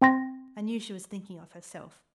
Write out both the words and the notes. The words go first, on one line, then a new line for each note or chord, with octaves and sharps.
I knew she was thinking of herself.
C4 G5 C6 A#6